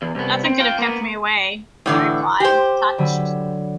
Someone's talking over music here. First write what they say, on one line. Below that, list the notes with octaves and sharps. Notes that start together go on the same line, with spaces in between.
"Nothing could have kept me away," I replied, touched.
E2
C2 B3
C4
F4 G5
A#3 B3
A2 D3 E3
G4 C5
D3 F#3 B5